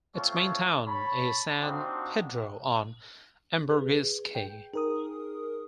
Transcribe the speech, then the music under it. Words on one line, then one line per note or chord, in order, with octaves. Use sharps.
Its main town is San Pedro on Ambergris Caye.
A3 C4 F4 C#5
C#5 A5 B5
C4 D4 D#4 F4 F#4
G#4 B4
G5
D#4 G#4 A#4 D#6